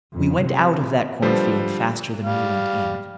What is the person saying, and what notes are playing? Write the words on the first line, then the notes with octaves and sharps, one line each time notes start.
We went out of that cornfield faster than we went in.
F2
C3
D3 F3 G3 A4 B4 C5
G3 F5